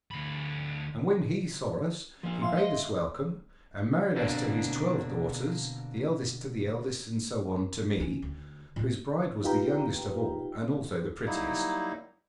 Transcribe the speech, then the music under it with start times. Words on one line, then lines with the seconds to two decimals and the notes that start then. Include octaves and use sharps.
'And when he saw us, he bade us welcome, and married us to his twelve daughters, the eldest to the eldest, and so on to me, whose bride was the youngest of all and also the prettiest.
0.11 D2 B5
2.23 F3 A#3
2.42 E5 F5 C6
2.57 D#5
4.16 B2 D3 A#3 C4 D4
7.97 E3 C#4
8.22 D2
8.76 A#2 A3
9.44 D#4 F4 G4 B4 G5 A#5
11.26 F#3 G3 A#3 D#4 E4